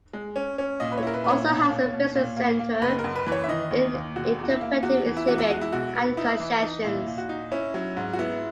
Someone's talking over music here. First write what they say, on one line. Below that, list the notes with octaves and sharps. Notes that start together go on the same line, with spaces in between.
It also has a visitor center, an interpretive exhibit and concessions.
G#3
C#4
C#4
A#2 D#5
B4
C#5
E4 A#4
B4
A#2 B4
C#5
B2
A#3
B2
A#2
A#3
A#3
F#1 B4
A#4
F#2
B4
E3 B4
C#5
E5
D#3 D#5
D#2
D#2
E1 F#4
E2
F#4
E4
A#3
E2 F#4
E3
E4
E2 F#4
E4
G#3 F#4
E4
B1 F#4
B3
D#4 E4
E3
D#4
A#2 E4
A#2
F#4
D#4
C#4 E4
F#3
G#2
F#4
B3 E4